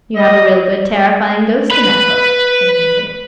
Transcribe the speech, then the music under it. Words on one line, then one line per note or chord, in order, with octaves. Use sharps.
"You have a real good terrifying Ghost in that book?" I hinted.
D#5
B4 B5